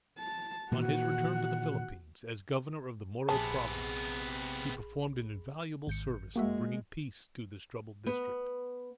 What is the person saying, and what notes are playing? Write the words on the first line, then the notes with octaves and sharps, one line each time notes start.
On his return to the Philippines, as Governor of the Moro Province, he performed an invaluable service in bringing peace to this troubled district.
A5
A#2 D#3 E3 F#4 F#5
A#1 C3 B3 G#4 A5 B5
G#1 G6 C#7
G#3 A#3 F#4 E5
B3